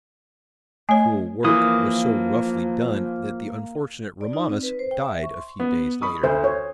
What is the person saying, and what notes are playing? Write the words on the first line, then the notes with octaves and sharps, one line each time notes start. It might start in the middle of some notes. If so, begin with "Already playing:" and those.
The cruel work was so roughly done that the unfortunate Romanus died a few days later.
A3 C#5 G#5
E3 F3 A#3 D#6
D5
D#4
C4
B4
C5
G5
E5
C#6
C6
B3
B5 C#6 D#6
D2 C5
C5 C#5